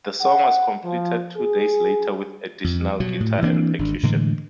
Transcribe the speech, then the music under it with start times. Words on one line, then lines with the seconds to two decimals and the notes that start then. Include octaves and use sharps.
The song was completed two days later with additional guitar and percussion.
0.21 F#5
0.85 F3
1.37 G#4
2.64 F2
3.00 B2 F#3
3.20 A2
3.42 E3 A#3 C4 D4
3.79 G#1 D4
4.03 A2 D3 E3 G#3